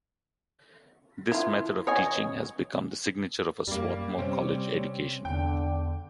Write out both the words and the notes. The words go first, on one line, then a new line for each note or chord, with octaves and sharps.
This method of teaching has become the signature of a Swarthmore College education.
E4 F4
C#5 D#5 G#5
F#2 G3 A#3
C3 G3 C4 C#4
E2 D3 G5